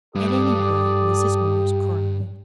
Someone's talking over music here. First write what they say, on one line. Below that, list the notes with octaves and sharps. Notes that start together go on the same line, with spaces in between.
At any rate, Mrs. Morris cried.
G2 G4 A4 D5 D#6